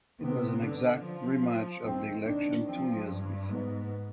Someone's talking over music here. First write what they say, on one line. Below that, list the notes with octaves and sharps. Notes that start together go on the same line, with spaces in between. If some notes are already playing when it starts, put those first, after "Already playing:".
It was an exact rematch of the election two years before.
C3 B3
D3
F3
D#3 C4
D4
F3 C4
G2
G#2 B3